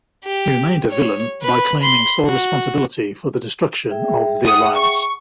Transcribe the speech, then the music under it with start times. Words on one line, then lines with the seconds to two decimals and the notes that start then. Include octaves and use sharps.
He remained a villain by claiming sole responsibility for the destruction of The Alliance.
0.24 G4
0.90 C#5
1.42 B4 B5
1.81 B5 C6
2.26 F#4
3.91 G#4 E5 G5
4.45 F#5 D#6
4.76 C#6